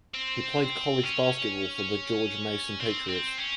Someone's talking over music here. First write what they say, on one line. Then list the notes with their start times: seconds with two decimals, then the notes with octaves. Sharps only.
He played college basketball for the George Mason Patriots.
0.15 C4
1.04 C#4
2.80 C4
3.09 C4
3.38 C#4